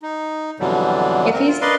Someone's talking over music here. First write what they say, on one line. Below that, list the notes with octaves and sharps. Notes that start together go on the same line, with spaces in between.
if he's
D#4
F2 B2 D3 E3 F#3 G3
C4 A#4
F4
A#4 B4 D5 D#5 F5 C6